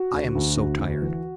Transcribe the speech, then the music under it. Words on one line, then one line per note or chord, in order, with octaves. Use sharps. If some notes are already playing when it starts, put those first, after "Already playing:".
I am so tired.
Already playing: F#4
D2
D2
D2
D2
E3